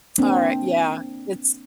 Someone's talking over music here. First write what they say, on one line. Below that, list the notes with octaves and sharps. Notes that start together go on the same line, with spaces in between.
Alright, yeah, it's
A#3 C4 D4